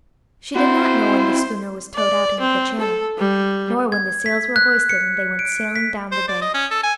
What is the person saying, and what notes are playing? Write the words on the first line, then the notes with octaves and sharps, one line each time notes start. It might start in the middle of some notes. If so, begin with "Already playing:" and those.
She did not know when the schooner was towed out into the channel, nor when the sails were hoisted and they went sailing down the bay.
C4 E4 F#4 C5
D5
C4
A4
G3
G#6
B6
F#6
C#7
D7
B6
C5
D5
D#5
C#4
A4
G#5